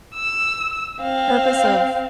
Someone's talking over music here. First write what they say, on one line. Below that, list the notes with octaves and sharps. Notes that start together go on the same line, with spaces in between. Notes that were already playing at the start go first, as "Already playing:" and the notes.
purpose of
E6
C4 F5